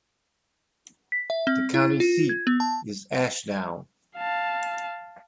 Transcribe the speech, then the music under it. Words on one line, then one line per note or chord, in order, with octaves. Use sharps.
The county seat is Ashdown.
B6
E5
C4
E4
F4
G#6
B3
A5
F5 A5